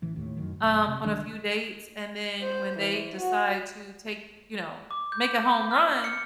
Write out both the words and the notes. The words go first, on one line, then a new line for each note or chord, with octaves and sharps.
um, on a few dates and then when they decide to take, you know, make a home run,
A1 E3
D#2 A2
F1 F#2 D#3
F#1 B1
C3
C#2 D#3 G3 D4
C5
E3
F#4
D6
G6
F6
C#7